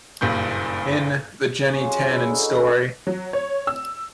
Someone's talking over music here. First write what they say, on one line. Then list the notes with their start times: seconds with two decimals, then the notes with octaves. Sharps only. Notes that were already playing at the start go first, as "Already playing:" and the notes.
In "The Jenny Tannen Story".
0.21 F#1 G2 A#2 G6
1.64 C#4
1.79 F#2 C#3 F4
2.04 E4 F5 G#5
2.29 D3 D#4 F#4 B4
2.57 C#4
3.07 F#3
3.33 C#5
3.67 E6